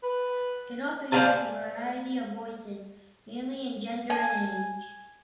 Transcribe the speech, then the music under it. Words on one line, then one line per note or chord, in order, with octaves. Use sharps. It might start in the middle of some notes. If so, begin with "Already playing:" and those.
It also uses a variety of voices, mainly in gender and age.
B4
C5 D5 D#5 F5 G#5 A5
G#5